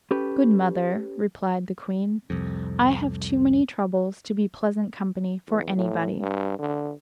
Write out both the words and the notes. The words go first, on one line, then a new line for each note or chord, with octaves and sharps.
"Good mother," replied the queen, "I have too many troubles to be pleasant company for anybody."
C#4 G4 A4 B4
C2 F2
E2
A2
G2
D3